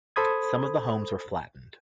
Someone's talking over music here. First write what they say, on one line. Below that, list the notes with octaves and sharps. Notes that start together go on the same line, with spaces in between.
Some of the homes were flattened.
A4 C5 B5 D#6 G#6